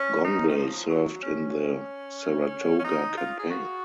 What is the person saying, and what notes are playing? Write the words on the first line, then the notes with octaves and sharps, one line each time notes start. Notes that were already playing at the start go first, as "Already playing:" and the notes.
Gonville served in the Saratoga campaign.
Already playing: C#4
D#4
D#3
F3
F#3
C#4
C#4
D#4
F4
G#4
F#4